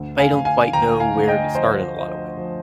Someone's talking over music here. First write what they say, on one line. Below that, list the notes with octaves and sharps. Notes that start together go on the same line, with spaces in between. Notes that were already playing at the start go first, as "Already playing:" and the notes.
I don't quite know where to start in a lotta ways.
Already playing: D2
F5 G#5
D2
F5 G#5
D2 G5 A#5
F5 G#5
D2
D#5 G5
F3 C5 D#5
F3
F3